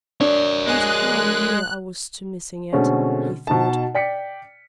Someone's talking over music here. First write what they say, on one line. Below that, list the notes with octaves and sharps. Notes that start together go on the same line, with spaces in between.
"And how near I was to missing it!" he thought.
D4 A#4 C#5
G#3 G#4 F#6
B2 D3 G#3 A3 C4 C#4
B2 D#4 A5
D5 G5 B6 C#7